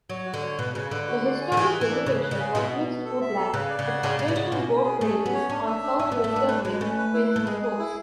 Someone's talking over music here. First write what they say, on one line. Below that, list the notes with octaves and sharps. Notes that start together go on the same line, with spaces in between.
The historic vegetation was mixed woodland, with occasional goat prairies on southwesterly facing slopes.
F#3 C#5
F#4
D3
C#5
B2 B4
C#3 B4
D3 B4
F#4
D5
G#5
D3
E3 G#4
B4
E3
D4
C#3 B4
B4
C#3
G#4
B2 E4
B3
B3
A4
E5
A4
C#3 B4
D5
C#3
F#5
C#3 D5
C#3 D5
B2
C#3 F#4
B2 C#4
C#4
G#4
A3 G#4
C#4
B3
C#5
C#4 D4
E5
D4
C#4 E5
B3 E5
A3
B3 D4
A3 B4
G#3 B4
A3 C#4
B4
E4
B4
A3
G#3 G#4
G#4
E4